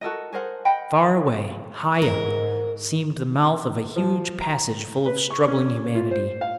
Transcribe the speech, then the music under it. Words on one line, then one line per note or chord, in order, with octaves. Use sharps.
Far away, high up, seemed the mouth of a huge passage full of struggling humanity.
F#4 A4 A#4 D#5
G#4 A#4 C5 F#5
D#5 F#5 G5 B5
G#2 A#4
F3
A#5
B4
C#6
C#4
F4
C5
F5